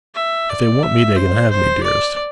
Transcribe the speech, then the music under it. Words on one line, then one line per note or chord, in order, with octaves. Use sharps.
'If they want me they can have me, dearest.
E5
D5
E5
C5
C5
D5